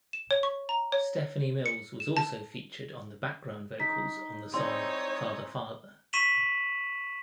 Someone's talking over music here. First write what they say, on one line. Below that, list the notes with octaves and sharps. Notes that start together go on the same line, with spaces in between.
Stephanie Mills was also featured on background vocals on the song "Father, Father".
E7
C#5
C#6
A#5
C#5
C#7
E7
A5
D#4 B6
C4 D#4 E4 G#4 C#5 D5 C6
C#6 B6 D#7 E7 F#7